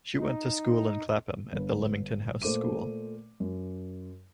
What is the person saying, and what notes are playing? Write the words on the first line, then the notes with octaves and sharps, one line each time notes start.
She went to school in Clapham at the Lymington House School.
D#4
G1 B4
A#2 A3 C5 D6 D#7
F#2